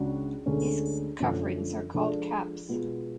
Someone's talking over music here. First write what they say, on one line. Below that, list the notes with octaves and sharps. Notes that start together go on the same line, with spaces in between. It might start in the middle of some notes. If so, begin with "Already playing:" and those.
These coverings are called "caps".
Already playing: C#2 C#3 G#3 D4 F#4
D2 D3 G#3 C#4
F#2 D3 F3 A3
F3 G#3 D4 F4 A4
B2 G#3 B3 F4